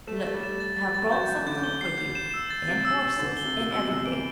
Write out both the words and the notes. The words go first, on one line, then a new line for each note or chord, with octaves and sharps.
Look, I have brought some food for you, and horses, and everything.
A3 E7
A3 A6
G3
E7
A6
A6
A6
E3
F#3 G6
E3 G6
D3 G6
G7
C7
G6
E7
E6
A6
C3 A6
E6
C3
E6
D3 A6
G7
C3
G7
C3
B2 E6
C3 E6
E3 D7